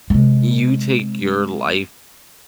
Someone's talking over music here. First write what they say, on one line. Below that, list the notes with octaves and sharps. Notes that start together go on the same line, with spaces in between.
you take your life
C3 G#3